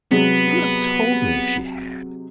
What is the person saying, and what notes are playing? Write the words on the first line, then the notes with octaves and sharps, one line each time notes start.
She would have told me if she had.
C3 F#3 G#3 B3